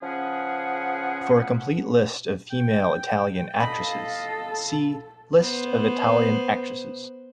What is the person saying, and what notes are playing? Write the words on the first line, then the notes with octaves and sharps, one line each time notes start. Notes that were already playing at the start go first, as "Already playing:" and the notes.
For a complete list of female Italian actresses, see: List of Italian actresses.
C#3 F3 C#4 G#4 B4 F#5
G5
A4 D#5 F5 B5
B3 C5